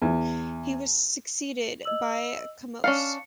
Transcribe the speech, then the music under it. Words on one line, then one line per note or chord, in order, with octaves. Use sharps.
He was succeeded by Kamose.
E2
D#5 E6 F#7
C#4 D4 F5 C#7